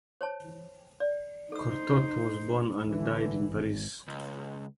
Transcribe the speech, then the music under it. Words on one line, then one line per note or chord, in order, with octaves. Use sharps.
Cortot was born and died in Paris.
C5 C#5 A5
D5
D#4 A4 C5 E6
D3 E3
G#1
C#2